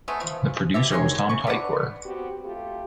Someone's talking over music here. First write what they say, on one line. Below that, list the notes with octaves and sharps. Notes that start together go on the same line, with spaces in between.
The producer was Tom Tykwer.
G#3 A3 B3
F3
B2 G4 E5
D#3 G#3 C#5 C6
C#3 C#6
D3 B4 D5 F#5
B3 C4 F#4 G4
A3 F4 G4